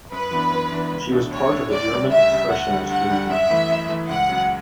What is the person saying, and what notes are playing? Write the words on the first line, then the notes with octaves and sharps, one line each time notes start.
She was part of the German Expressionist movement.
F#2 B4
E3 B3 D4
F#2
E3 B3 D4
C#2
B2 A3 D4 A4
C#2 C#5
B2 A3 D4 A4
D2 D5
C#3 G3
D2 E5
C#3 G3
D2 F#5
D3 G3
D2 F#5
D3 G3
F#2 E5
E3 A3 E4
F#2
E3 A3 E4
C#2 F#5
C#3 F#3